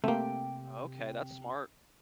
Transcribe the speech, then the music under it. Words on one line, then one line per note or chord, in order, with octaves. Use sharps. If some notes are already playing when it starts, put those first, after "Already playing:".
Okay, that's smart.
C3 A3 A#3 G4